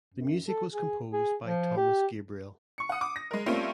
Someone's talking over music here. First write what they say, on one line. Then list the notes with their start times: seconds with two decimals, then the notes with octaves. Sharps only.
The music was composed by Thomas Gabriel.
0.14 F#2
0.48 A4
0.73 G#4
1.13 G#4
1.45 F3
1.77 G4
2.78 C#6 C#7
2.89 F#5 D#6
3.01 D6
3.16 A#6
3.31 G#3 A#4
3.46 G3 A3 A#3 C4 C#4 F4